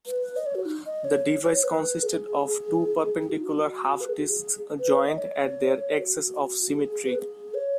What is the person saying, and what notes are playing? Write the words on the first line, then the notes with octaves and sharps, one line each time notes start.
The device consisted of two perpendicular half discs joined at their axes of symmetry.
B4
D#5
C#5
F#4
D#4
D#5
C#5
C#5
B4
G#4
G#4
F#4
D#4
F#4
B4
G#4
F#4
G#4
B4
D#5
C#5
F#4
G#4
B4
G#4
C#5